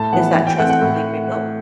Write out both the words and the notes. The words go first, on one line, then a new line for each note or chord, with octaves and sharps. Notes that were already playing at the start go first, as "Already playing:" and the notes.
is that trust really rebuilt?
Already playing: A2 A5
E3 B3 F#5
E3
G5
A3 C4 F#5
F#5
A2